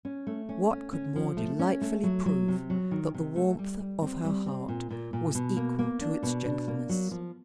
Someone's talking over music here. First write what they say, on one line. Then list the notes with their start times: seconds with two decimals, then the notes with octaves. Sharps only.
What could more delightfully prove that the warmth of her heart was equal to its gentleness?
0.05 C#4
0.27 A3
0.49 C#4
0.71 C#4
0.93 C#4
1.16 F3
1.37 A3
1.59 C#4
1.81 A3
2.03 F#3
2.26 F#3
2.48 C3
2.70 F#3
2.91 D#3
3.14 C3
3.36 A3
3.58 G3
3.80 G3
4.02 C4
4.24 G3
4.46 C4
4.69 A#2
4.90 A#2
5.13 A#2
5.35 B2
5.57 A#3
5.79 A#3
6.01 D4
6.23 B2
6.45 D4
6.68 A#3
6.89 F#3
7.11 F3